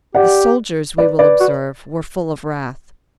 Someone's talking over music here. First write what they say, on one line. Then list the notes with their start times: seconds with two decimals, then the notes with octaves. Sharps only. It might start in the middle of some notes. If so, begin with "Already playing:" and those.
The soldiers, we will observe, were full of wrath.
0.15 G4 D5 F#5
0.98 B4 D5
1.19 B4 D5
1.40 F#4